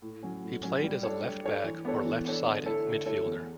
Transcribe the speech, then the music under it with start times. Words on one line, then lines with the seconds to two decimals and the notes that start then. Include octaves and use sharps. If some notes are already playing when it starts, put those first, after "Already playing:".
He played as a left back or left-sided midfielder.
0.02 A2
0.23 F#3 C#4
0.43 A2
0.63 F#3 C#4
0.83 G3
1.03 D4 A4 C#5
1.24 G3
1.44 D4 A4 C#5
1.64 E3
1.85 B3 D4 A4 C#5
2.04 E3
2.25 B3 D4 A4 C#5
2.45 D3
2.65 A3 E4 A4 C#5
2.86 D3
3.05 A3 E4 A4 C#5
3.26 E2